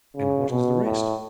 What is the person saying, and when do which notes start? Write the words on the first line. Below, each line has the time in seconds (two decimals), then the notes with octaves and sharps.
"And what is the rest?"
0.16 C#3
0.50 B2
0.84 A2